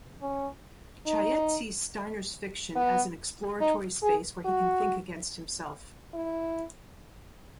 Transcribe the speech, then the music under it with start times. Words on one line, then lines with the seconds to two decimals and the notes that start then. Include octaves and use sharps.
Cheyette sees Steiner's fiction as an exploratory space where he can think against himself.
0.22 C#4
1.06 D#4
2.75 B3
3.60 D#4
4.02 G#4
4.45 F#4
6.14 E4